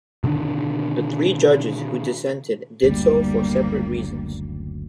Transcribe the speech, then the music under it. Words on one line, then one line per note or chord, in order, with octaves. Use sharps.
The three judges who dissented did so for separate reasons.
B2 D3 D#3 D4
F#1 D2 G3 A#3